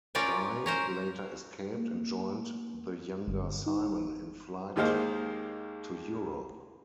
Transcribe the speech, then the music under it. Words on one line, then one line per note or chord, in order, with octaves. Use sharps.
Guy later escaped and joined the younger Simon in flight to Europe.
C#4 F4 A#4 D5 G5 G#5
C#4 A#4 C5
A#3
G1
D#4
D#2 D#3 G#3 A#3 C5 F5